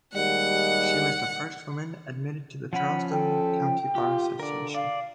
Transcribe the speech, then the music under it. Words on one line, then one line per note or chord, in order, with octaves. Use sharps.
She was the first woman admitted to the Charleston County Bar Association.
D#2 G3 G#3 F#5
F3 C#4 F#5 B5
A4 G5
F4 G4
D3 A#4 D5
D5 F5